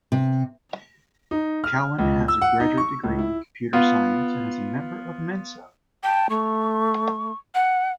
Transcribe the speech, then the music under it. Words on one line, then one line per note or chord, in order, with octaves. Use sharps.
Cowan has a graduate degree in computer science and is a member of Mensa.
C3
D#4
F6
C#2
E6
F#5
D#4
C#6
C#2
E4
B3 F4
G5 A5
A3 C#6
F#5